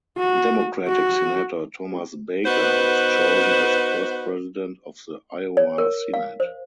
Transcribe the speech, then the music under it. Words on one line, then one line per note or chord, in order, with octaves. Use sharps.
Democratic Senator Thomas Baker was chosen as the first President of the Iowa Senate.
F#4
F#4
B3 D#4 F#4 B4 C5
C#5
A#4
F5
C5